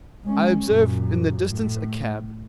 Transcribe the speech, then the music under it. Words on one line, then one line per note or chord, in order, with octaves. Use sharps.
I observe in the distance a cab.
G#3 C#4
F#2 A#2
A2